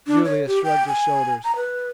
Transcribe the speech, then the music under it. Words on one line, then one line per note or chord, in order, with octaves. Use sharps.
Julius shrugged his shoulders.
D4
C#5
G4
G5
G#5
A#5
B4